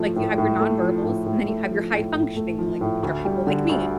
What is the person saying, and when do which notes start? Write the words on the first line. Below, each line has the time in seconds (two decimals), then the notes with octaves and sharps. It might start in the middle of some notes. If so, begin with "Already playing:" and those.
Like you have your nonverbals, and then you have your high functioning, like which are people like me.
Already playing: A2 F3 A3
0.16 A2
0.38 A2
0.60 A3
0.82 F3
1.04 A2
1.26 A2
1.48 A3
1.71 F3
1.93 A2
2.15 A2
2.36 A3
2.59 F3
2.81 A2
3.03 D2
3.25 G3
3.47 D3
3.69 D2